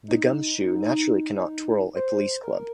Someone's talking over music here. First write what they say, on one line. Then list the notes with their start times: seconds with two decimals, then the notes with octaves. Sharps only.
The gumshoe naturally cannot twirl a police club.
0.08 D#4
1.96 C5
2.44 A#4